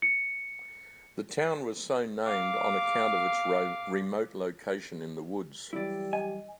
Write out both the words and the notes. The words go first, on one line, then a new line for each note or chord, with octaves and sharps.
The town was so named on account of its remote location in the woods.
C#7
F5 D6
E3 F#3 G3 E4 G4 D5
D#5 G#5